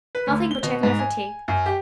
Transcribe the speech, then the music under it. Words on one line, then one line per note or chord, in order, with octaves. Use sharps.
Nothing pertikeler for tea.
B4
D2
G7
B2
G#2
G#5
F#2
G4